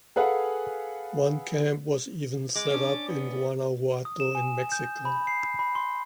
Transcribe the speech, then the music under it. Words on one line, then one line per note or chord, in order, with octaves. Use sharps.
One camp was even set up in Guanajuato in Mexico.
G#4 A4 B4 F5 F#5 G#5
G#3 D6
C#4 D4
B3
D#6
E7
G#5
G6
B5
C7
B5
C6